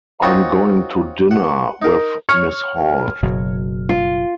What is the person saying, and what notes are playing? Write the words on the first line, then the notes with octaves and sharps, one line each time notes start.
I'm going to dinner with Miss Hall.
C4 D#4 F4 F#4 C#5
F#5
D#4 A#4
C#5 F6
F#1 B2 F#3
F4